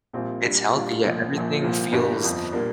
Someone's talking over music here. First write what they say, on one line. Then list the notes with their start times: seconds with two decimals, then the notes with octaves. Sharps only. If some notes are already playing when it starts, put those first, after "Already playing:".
it's healthy, yeah, everything feels
0.13 A#1 A#2 G3 C4 F4
0.43 A#2 G3 D4
0.73 A#2 G3 D4 F4
1.03 C2 A#2 F3
1.33 A#1 A#2 F3
1.62 C2 A#2 F3
1.92 G1 G2 G3 A#3
2.23 G1 F2 F3
2.52 A#2 G3 A#3 D4